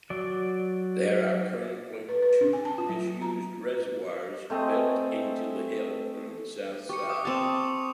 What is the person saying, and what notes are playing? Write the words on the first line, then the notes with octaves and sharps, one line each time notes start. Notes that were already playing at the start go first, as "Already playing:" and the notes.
There are currently two disused reservoirs built into the hill on the south side.
F#3 D5
B4
B4
D4
G#5
A5
F4
F#3
F4
A#5
A3 C4 G#4 D#5
G4 C#6 C#7
D6 D#6
C4 A5 E6 F7